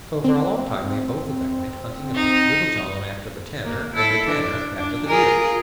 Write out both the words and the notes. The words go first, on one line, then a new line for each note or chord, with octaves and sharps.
So for a long time they both of them went hunting about, Little John after the Tanner, and the Tanner after the deer.
C4
D#4
A#3
E4 A4
D4
D4
F4 G#4 A#4